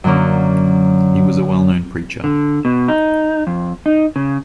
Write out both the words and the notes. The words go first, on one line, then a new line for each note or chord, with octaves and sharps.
He was a well-known preacher.
F#2 D3 A#3 C#4
D3
B2
D#4
F2
D#4
C#3